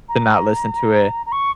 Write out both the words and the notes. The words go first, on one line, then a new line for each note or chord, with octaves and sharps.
to not listen to it.
A#5
A#5
C#6